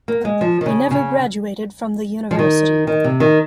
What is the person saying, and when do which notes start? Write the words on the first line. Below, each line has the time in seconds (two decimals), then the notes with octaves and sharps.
He never graduated from the university.
0.08 A#3
0.25 G#3
0.41 F3
0.61 D#3
0.66 C#3
0.91 C#3
2.31 F3
2.39 D#3
2.87 D#3
3.04 C3
3.20 D#3